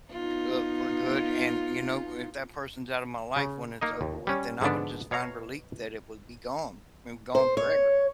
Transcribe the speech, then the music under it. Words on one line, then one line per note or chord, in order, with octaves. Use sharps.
uh, for good, and, you know, if that person's out of my life when it's over with, then I would just find relief that it would be gone, and gone forever.
B3 D#4 F4
C#3
A#3 D#4 D#5
D#2
G3 C#4
G#2 D3 F3 B3 D4
B2 C#5 F5 A#5
C5
C#5